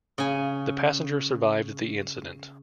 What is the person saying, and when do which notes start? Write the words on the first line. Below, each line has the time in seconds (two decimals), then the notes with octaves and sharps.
The passenger survived the incident.
0.18 C#3 G#5